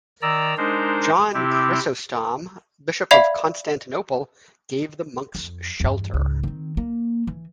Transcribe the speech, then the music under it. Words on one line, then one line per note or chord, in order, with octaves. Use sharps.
John Chrysostom, Bishop of Constantinople, gave the monks shelter.
D#3 D5 A#5 E6
G#3 D4 D#4 A#4 C5
C3 C4 E4 G4
D5 E5 F5 B5 G#6 C7
F2
E2 G2
C#2 G#2
D#3 C4
A#3
E3